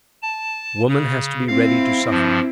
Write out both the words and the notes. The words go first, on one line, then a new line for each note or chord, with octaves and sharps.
Woman has to be ready to suffer.
A5
C#3
C4 E4 F5
G2 F3